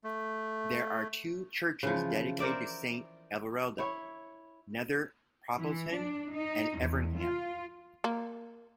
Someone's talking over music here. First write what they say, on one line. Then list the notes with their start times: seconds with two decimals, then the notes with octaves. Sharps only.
There are two churches dedicated to Saint Everilda - Nether Poppleton and Everingham.
0.04 A3
1.83 C#3 E3 F3
2.39 A#4 C5 D5 E5
3.78 E4 C#5
5.58 E3
5.92 D4
6.33 D#4
6.79 E2
7.17 F4
8.04 A#3